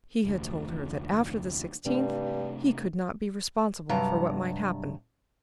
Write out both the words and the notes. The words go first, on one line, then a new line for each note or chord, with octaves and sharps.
He had told her that after the sixteenth he could not be responsible for what might happen.
F1 D2
G2 C3 A3 D4
G2 C3 F#3 A5 A#5